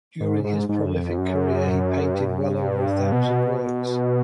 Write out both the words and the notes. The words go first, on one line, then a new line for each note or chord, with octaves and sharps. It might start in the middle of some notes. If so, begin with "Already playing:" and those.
During his prolific career he painted well over a thousand works.
G#2
G#2
G#2
F#2
F2
F#2
G2
F#2
G2
B2